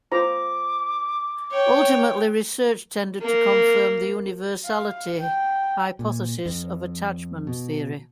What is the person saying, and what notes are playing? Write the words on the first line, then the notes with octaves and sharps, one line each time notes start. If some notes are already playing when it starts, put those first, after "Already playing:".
Ultimately research tended to confirm the universality hypothesis of attachment theory.
F4 C5 A#5 D6
C#5 G5
A#3
F5
G5
A#2
F2
B2